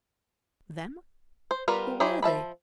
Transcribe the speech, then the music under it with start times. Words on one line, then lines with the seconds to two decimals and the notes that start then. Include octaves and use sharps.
"Them"? who were they?
1.51 C5
1.68 G3 B3 F4 A#4 B4
2.00 F#3 E4 G4 G#4 C5
2.22 F3 E5 A5 B5